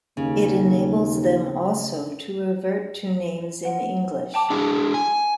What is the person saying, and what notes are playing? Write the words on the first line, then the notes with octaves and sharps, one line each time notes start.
It enables them also to revert to names in English.
D#2 C#3
F#5
G5 A5 D6
D4 E4 G#4
G#5